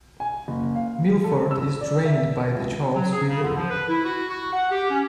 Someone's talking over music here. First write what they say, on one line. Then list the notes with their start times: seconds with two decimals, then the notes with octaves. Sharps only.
Milford is drained by the Charles River.
0.20 G#5
0.48 F#1
0.75 F5
1.24 A4
1.51 E6
1.81 D5
2.05 E5
2.55 C#2
2.95 F#3
3.13 G#4
3.29 C#3
3.43 D3
3.57 F3
3.70 B4
3.89 E4
4.05 F#4
4.29 F#4
4.53 F#5
4.71 G4
4.90 C#4